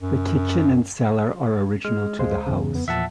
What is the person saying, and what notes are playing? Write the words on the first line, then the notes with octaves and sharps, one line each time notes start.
The kitchen and cellar are original to the house.
F#2
G#3 F6
D2 G#3 C5 F5
E2 C#3
F2 B3
E2 A#2 F3 E5 F#5 A5